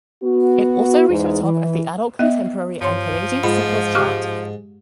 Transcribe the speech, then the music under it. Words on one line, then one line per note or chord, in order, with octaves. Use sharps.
It also reached the top of the Adult Contemporary and Canadian Singles Chart.
B3 F#4
E2 G#2
E3
B3 D#5 E5
G2 F3 C#5 C6
G#2 F4 B5
G#3 G4 C#6 D6 F6